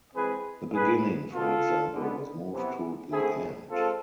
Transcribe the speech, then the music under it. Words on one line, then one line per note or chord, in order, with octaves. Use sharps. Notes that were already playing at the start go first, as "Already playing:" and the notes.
The beginning, for example, was moved to the end.
E3 G#3 C4 G#4 B4
E3 G#3 B3 G#4 B4
B2 B3 F4 A4
D3 G#3 B3
C3 E3 B3
D3 A3 C4 E4 G#4
G#3 C4 F4 A4